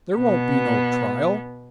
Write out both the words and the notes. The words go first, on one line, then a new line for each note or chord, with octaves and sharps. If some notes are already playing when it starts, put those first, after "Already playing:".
There won't be no trial.
B2 B3